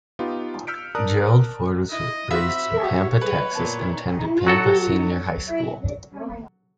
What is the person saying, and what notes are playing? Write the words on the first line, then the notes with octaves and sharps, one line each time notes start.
Gerald Ford was raised in Pampa, Texas and attended Pampa Senior High School.
B3 D#4 F4 G4
E6 F6 G6 B6 C#7 D7
A#4 D5 A5 A#5 D#6 F#6
E4 D#5
C4 F#4 E5 F5 B5
C#5
B4
A#2 B3 A5
F#3 F#4 A4